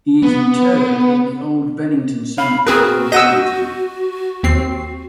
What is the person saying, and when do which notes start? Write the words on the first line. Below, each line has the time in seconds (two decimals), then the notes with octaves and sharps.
He is interred at the Old Bennington Cemetery in Bennington.
0.23 B3
2.38 F5 B5
2.67 C4 F#4 G#4 A#4 B4
3.12 D#5 F#5 E6 G6 A#6 D#7
4.43 D#2 C4 C7